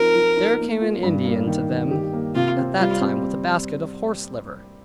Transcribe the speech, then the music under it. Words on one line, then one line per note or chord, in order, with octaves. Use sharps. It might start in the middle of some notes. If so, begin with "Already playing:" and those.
There came an Indian to them at that time with a basket of horse liver.
Already playing: F3 C4 D#4 A#4
F3
D#4
A#3
F4
G2
A#3
D#3
D#3
G4
A#3
C3 F4
C4
G3 F4
C4